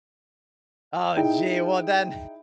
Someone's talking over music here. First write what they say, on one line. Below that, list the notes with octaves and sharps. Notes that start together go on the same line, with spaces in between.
Oh, gee, well, then
D#4 E4 G#4 G5